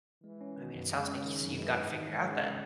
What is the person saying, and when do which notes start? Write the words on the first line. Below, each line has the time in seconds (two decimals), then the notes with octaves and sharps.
I mean, it sounds like you see you've gotta figure out then.
0.24 E3 G#3
0.41 C#4
0.57 B2 D#3
0.74 F#2
0.91 C#3 G#3
1.07 C#4
1.25 D#3
1.41 F#2
1.58 E3 G#3
1.74 G#2
1.91 D#3 E3
2.09 G#2
2.24 C#3 G#3